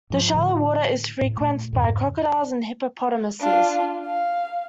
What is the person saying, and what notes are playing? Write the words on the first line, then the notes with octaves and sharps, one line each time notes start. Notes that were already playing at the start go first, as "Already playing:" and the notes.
The shallow water is frequented by crocodiles and hippopotamuses.
G#2 F3
A2 D3
A2
A#2 A3
F2 G#2 C#3
D4 F4
F5